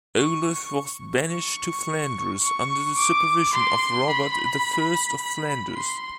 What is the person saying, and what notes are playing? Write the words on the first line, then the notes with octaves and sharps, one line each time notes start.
Olaf was banished to Flanders, under the supervision of Robert the First of Flanders.
C#6
C#6
C#6
D6
C6
B5
B5
C6